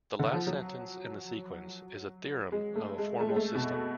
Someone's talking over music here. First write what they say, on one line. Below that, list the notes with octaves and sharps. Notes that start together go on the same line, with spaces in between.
The last sentence in the sequence is a theorem of a formal system.
D3
F3
F#3
G#3
A3
G#3
A3
G#3
A3
B2